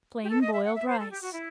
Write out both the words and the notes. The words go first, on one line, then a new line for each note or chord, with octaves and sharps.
Plain Boiled Rice.
G4
A4
D#5
E5
F#5
E5
C5
A4
G4
F#4
E4